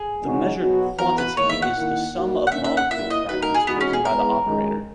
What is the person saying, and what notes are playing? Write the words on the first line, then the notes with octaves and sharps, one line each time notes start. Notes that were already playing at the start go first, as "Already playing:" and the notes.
The measured quantity is the sum of molecule fragments chosen by the operator.
Already playing: G#4
E2 C#3 G#3 D#4 F#4
B2 F#3 B3 F#4
E3 B3 F#4 A#4
B4
E2 D#3 A#3 C#5
E5
F#5
D#3 A#3 E4
A#2 A#3 D#4 F#4
F#5
D#3 A#3 C#4 E5
E5
F#5
A#2 A#3 E4 E5
D#5
D#3 A#3 D#4 F#4 B4
A#4
G#4
E3 G#3 B3 D#4 F#4
C#4
G#4
E3 G#3 B3 A#4
F#2 D#3 G#3